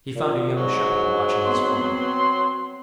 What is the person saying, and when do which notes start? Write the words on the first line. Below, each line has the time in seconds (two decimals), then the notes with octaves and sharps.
He found a young shepherd watching his flock.
0.16 A#2
0.57 G#2 F#3
1.46 B3 C4 C6